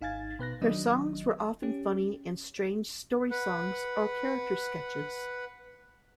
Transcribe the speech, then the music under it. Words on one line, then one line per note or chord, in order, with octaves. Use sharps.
Their songs were often funny and strange story-songs or character sketches.
G#1 D#4 F5 G#5 G#6 A6
B2 B4 F#6 A#6
D#3 F#3 D4 D#4 D#5
C#4 G4
B4 F#5